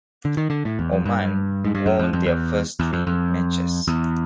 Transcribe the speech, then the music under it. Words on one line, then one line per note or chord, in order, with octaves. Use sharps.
Oman won their first three matches.
D3
D#3
D3
A2
E2
F2
G2
G#2
G2
F#2
F2
F2
E2
E2
F2
F2
E2